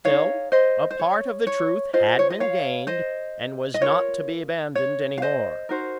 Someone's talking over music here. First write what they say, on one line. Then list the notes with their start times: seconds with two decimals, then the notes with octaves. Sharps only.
Still, a part of the truth had been gained, and was not to be abandoned any more.
0.05 D#4 G#4 C#5 F5
0.52 C5 D#5
0.91 C5
0.99 C#5
1.47 C#5
1.93 F4 G#4 C5 D#5
2.19 C#5
2.30 D#5
2.40 C#5 F5
2.87 C5 D#5
3.74 D#5
3.81 F4 A#4 C#5
4.75 C#5
5.18 F5
5.22 C5 D#5
5.69 D#4 F#4 A#4 C5